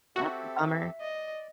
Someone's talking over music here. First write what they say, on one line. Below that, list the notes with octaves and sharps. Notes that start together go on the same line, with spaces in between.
That's a bummer.
C4 F#4 G4 A4 E5
D5 D#5